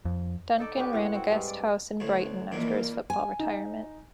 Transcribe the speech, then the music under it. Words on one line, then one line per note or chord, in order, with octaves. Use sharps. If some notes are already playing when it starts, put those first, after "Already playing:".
Duncan ran a guest house in Brighton after his football retirement.
F2
D#4 A4 D5
B3 C#4 D4 G4
A2 C#5 F#5
C4 F#4
G2 G#3
D5
D2 A2
C#2 A#2 E3 A#3
G#5
D#4